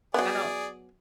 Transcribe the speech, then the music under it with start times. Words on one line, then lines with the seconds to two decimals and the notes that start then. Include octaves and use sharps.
I don't
0.14 F#3 B3 G#4 D5